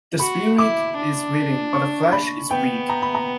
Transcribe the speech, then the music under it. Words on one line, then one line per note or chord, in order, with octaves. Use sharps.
The spirit is willing but the flesh is weak.
F#4 B5
E4 D6
D4
C#6
B5
B3 G5
A#5
B5
A#5